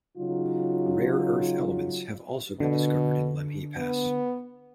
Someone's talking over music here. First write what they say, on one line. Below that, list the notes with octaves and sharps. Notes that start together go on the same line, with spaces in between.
Rare earth elements have also been discovered in Lemhi Pass.
C#3 F#3 D#4 F4
B2 D3
B3